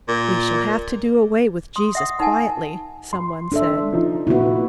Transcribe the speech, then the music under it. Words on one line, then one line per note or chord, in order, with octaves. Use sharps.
"We shall have to do away with Jesus quietly," someone said.
A#2
C6 D#6
E5 F#5 D#6
D#4 A#4 F#5 G#5 A5
C6
D4 A4 E5
F3 D#4
A#2 D#3 B3 E4 F#4